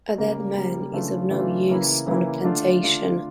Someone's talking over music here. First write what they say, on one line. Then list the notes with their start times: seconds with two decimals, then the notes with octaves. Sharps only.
A dead man is of no use on a plantation.
0.18 C#3 G3 A#3
0.55 C#3 G3 A#3
0.93 C#3 E3 A3 D4 F4
1.31 C#3 E3 A3 D4 F4
1.69 C#3 E3 A#3 E4
2.07 C#3 E3 A#3 E4
2.44 D3 A3 D4 F4
2.82 D3 A3 D4 F4